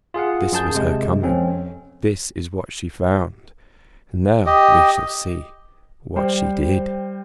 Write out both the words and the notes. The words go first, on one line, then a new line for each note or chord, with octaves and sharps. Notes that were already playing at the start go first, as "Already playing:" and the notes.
This was her coming; this is what she found; now we shall see what she did.
F4 G#4 F5 F#5
F#2 G#4 A5 G6
C3 G#3
F2 C4 C#4
G4 D#5
G3 C5 G5